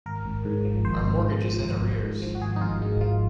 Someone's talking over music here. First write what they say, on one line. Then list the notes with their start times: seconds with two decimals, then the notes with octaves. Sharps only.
Our mortgage is in arrears.
0.06 G#1 A#4
0.26 G#1
0.45 G#2
0.65 F3
0.85 G#1 C5
1.04 G#1
1.24 G#2
1.44 F3
1.64 G#1
1.82 G#1
2.02 G#2
2.22 F3
2.35 F#4
2.42 G#1 G#4
2.56 D#4
2.61 G#1 F4
2.81 G#2 D#4
3.01 F3 F4